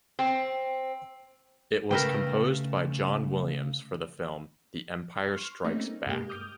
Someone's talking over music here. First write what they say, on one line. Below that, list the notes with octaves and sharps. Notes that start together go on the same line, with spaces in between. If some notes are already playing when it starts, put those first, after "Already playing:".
It was composed by John Williams for the film "The Empire Strikes Back".
C4
C#3 A3 A#4 B4 G5
C6 C#6 F6
G3 A3 A#3 C4 C#4 D#4
G2 B2 G#3 A#3 G4
D6 D#6 F6 G6